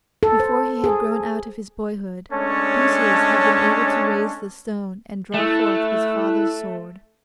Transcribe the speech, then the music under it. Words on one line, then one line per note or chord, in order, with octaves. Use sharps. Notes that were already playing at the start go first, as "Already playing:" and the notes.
Before he had grown out of his boyhood Theseus had been able to raise the stone and draw forth his father's sword.
A4
C5
G#4
G#3 A3 C#4 D4 C#5 A5
A3 E4 E6 F#6